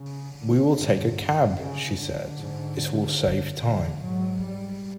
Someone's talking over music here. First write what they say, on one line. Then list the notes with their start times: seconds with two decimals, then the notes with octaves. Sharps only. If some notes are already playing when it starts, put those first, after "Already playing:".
"We will take a cab," she said: "it will save time."
Already playing: C#3
0.34 D3
0.75 G2
1.56 C#3
1.97 D3
2.38 G#2
3.19 D3
3.60 D3
4.00 G#2 F#3
4.41 G3